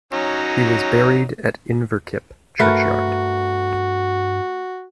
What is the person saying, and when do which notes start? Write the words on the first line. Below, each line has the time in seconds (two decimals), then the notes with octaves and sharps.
He was buried at Inverkip churchyard.
0.13 F#3 C#4 D#4
2.60 G2 A3 F#4 A#4 B4